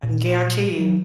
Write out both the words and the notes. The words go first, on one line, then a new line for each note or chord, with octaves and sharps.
I can guarantee you,
A#2
F#3